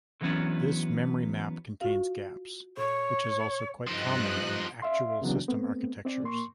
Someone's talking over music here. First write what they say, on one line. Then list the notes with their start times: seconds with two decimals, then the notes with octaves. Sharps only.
This memory map contains gaps, which is also quite common in actual system architectures.
0.21 D3 E3 F#3 B3 C#4 D4
1.81 F4 F#4 F5
2.77 A#2 C#5
3.87 G2 F3 D#4 D#5 F#6
4.82 D5 E5 F5 C6
5.22 C#3 E3 F#3 B3 D4 F#4
5.48 A3 B3 C4
6.05 C4 D5
6.22 A#2 A#3 C6 C#6